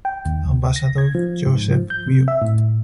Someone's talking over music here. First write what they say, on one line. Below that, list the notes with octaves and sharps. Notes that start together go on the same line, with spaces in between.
Ambassador Joseph Grew.
G5
D#2
D2
A#6
G#6
F3
G#2
F3
G6
C3
E5
A2